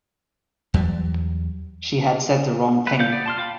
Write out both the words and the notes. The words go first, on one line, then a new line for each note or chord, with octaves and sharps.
She had said the wrong thing.
E2 F#3 G3
A3 B4
G3 A4 D5 F5 G6
B3 D5
A5 C6 F6
F4 F5 G5 B5